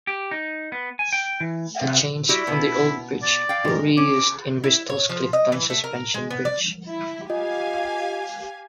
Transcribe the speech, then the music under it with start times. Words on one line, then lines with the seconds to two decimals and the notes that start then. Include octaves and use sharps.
The chains from the old bridge were re-used in Bristol's Clifton Suspension Bridge.
0.07 G4
0.31 D#4
0.72 B3
0.99 G#5
1.13 G5
1.40 E3
1.81 C3
2.29 G3 E4 F#4 G4
2.47 B2 B3
3.23 D5
3.49 F5 G5
3.65 G#3 A#4
3.97 C#4 D6
4.64 E4
4.90 C#5
5.09 F3
5.33 D#5
5.52 E3
5.70 A3
5.84 A#4
6.14 G#3
6.31 B3
6.45 D5
6.88 E4
7.30 F4 G4 D#5 F5 G#5